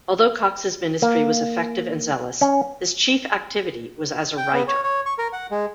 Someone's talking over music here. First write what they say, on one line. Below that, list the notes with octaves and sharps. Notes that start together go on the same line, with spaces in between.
Although Cox's ministry was effective and zealous, his chief activity was as a writer.
A#3
C#4
G5
B3
C#5
C#5
C#6
A#4
F#5
G#3